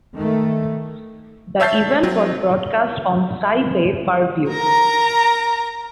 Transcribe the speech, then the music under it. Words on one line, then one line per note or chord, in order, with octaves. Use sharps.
The event was broadcast on Sky Pay per view.
D#3 A3
C#5 E5 A5 G6 A6 C7
F#3 C4
A#4 A#5